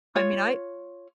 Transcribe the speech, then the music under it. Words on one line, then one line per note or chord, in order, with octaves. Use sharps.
I mean, I
F4 C#5